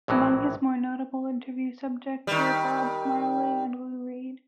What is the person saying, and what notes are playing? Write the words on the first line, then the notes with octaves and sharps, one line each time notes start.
Among his more notable interview subjects were Bob Marley and Lou Reed.
A#1 A2 E3 F#3
D#3 G3